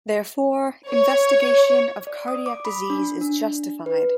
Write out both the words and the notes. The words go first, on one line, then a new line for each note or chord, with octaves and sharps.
Therefore, investigation of cardiac disease is justified.
C#5
D5
D#6
D6
B5
D4
D4
B4